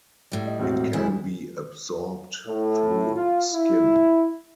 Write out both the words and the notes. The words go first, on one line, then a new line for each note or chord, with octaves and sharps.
It can be absorbed through skin.
A2 G3
D#5
E1 C4 F#4
E1 E3 G#3 E4
A2
F4
E4